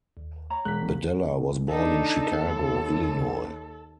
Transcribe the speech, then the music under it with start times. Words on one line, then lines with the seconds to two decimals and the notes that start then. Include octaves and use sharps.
Bedella was born in Chicago, Illinois.
0.17 D#2
0.50 C#5 A#5 B5
0.65 E1 G#3 F#6 B6
1.69 D4 D#4 A4
2.34 D#2